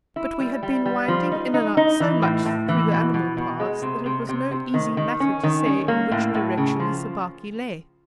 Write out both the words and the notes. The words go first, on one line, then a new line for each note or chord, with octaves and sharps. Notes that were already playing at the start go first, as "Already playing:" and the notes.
But we had been winding in and out so much through the animal paths that it was no easy matter to say in which direction the Sabaki lay.
E4
G3
G3
G3
F3
D#4
D#4
D#4
E3
A2
A2
E3
B2
B2
B2
G#3
C3
C3
C3
C3
D#3
D#3
C#4
D#3
C#4
A#3
A2
A2
C#3
F3